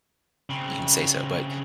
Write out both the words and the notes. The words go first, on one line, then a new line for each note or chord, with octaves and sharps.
you can say so, but
C#3 C4